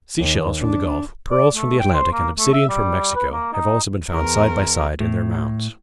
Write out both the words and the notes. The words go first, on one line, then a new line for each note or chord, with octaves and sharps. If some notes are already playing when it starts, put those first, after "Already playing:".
Sea-shells from the Gulf, pearls from the Atlantic, and obsidian from Mexico, have also been found side by side in their mounds.
D#2
D4
D5
A3
G5
C5
A#3
A3
E5
G3
B4
A#3
D#4
E2 A#4
A2